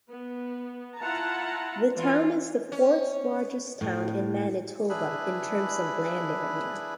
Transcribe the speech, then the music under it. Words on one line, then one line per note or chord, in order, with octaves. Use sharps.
The town is the fourth-largest town in Manitoba in terms of land area.
B3
E4 F4 F#5 A5 A#5
E3 F4
C#4
A2
D4 E4 G#4 B4 B5